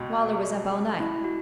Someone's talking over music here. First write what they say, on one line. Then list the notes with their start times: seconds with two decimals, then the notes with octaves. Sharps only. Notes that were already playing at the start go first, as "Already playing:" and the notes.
Waller was up all night.
Already playing: C#2 B2 F#4
1.00 E4
1.24 F#4